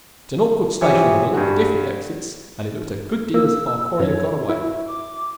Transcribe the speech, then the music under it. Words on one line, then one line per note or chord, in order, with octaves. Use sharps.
It is an awkward station with a lot of different exits, and it looked a good deal as if our quarry had got away.
E3 F3 G4 C#5 E5
G2 F#4
A#3 E6
F#2 C#5
E4 F#4
D6